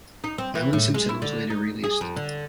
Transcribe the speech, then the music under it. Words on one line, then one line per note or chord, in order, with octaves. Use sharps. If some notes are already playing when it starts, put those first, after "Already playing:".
Alan Simpson was later released.
D#4
C4
E3
A2
G#3
E4
D3
D#4
G#4
F2
D3